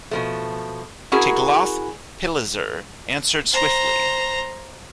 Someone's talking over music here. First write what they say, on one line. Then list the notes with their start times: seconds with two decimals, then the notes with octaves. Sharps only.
Tiglath-Pileser answered swiftly.
0.11 B2 F3 A3
1.12 C#4 E4 F#4 G#4 A#4
3.52 C5 A#5